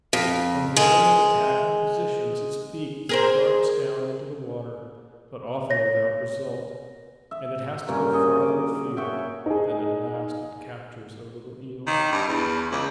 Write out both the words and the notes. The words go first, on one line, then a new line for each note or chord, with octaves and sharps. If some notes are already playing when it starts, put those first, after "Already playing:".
From various attacking positions its beak darts down into the water, but often without result, and it has to go farther afield; then at last it captures a little eel.
F2
G#3
G#4 A#4 C5
C#5 A#6
E5
G2 A#2 C#4 A#4
F#4 G#4 D#5
D6
F#4 C#5 E5 G5
D#4 G#4
D#3
G2
E2
C#2